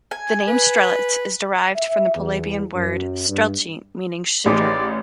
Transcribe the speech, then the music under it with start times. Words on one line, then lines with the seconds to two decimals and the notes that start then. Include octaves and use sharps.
The name "Strelitz" is derived from the Polabian word "Strelci", meaning "shooter".
0.11 G#5
0.48 B4
1.76 E5
2.15 E2
2.74 F#2
3.29 G2
4.46 A1 D#4 G4 G#4 D5